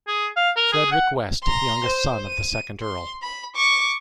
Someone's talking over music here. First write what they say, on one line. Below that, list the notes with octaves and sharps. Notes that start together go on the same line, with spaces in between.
Frederick West, youngest son of the second Earl.
G#4
F5
A#4
G#4
F#5
A#5 C6
C5
D#7
C6
B5
C#6 D6